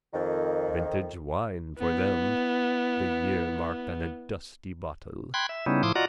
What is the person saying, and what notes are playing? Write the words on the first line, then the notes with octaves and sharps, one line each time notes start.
Vintage wine for them, the year marked on a dusty bottle.
F2 D#3
B3 E4
G5 B5 C6 F#6 G#6
E5
C#3 G3 B3 C#4 D#4 E4
A2 F3 E4 C6 D6 D#6
F4 F#4 D5 D#5 F#5 A#5